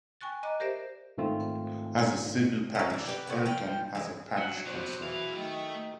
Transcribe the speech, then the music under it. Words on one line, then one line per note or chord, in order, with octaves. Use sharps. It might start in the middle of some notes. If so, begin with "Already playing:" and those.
As a civil parish, Elton has a parish council.
G5 G#5 C#6 F#6 A6
D#5 A#5 D6 F#6
G4 A#4 C5 D5 E5
G#2 D#3 A3 C4 F4
F#3 A#3
E3 D4
G4 B4
A2 C3 B3
F3 G5
E3 G#3
F#3 F#5
C3 B3 F#4 C5 D5
A#2 E3 G#4 F5
D#3 A3